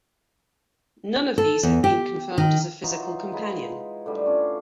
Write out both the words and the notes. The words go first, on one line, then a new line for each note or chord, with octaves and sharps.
None of these have been confirmed as a physical companion.
A4
E2
G4
D#3
E3 F#3 D#4 F4
G#3 A#5 B5
A2 D3 G3
C#4 D4 F4 G4